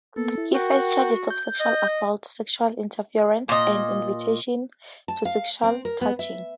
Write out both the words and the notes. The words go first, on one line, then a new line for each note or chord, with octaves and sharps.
He faced charges of sexual assault, sexual interference and invitation to sexual touching.
A#3 B3 A4
E4
F#4 A#4 F#5 G5
G6
D#5
A#2 D#5
A5
F5
C4
A#4
B3
E5